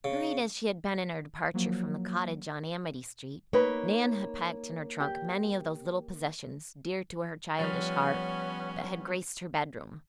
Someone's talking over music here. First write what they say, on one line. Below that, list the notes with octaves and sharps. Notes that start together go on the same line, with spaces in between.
Hurried as she had been her departure from the cottage on Amity Street, Nan had packed in her trunk many of those little possessions, dear to her childish heart, that had graced her bedroom.
C#3
F3 F#3 A#3
A#3 D#4 B4 C#5 B5
G4
F3 G3 B3 C#4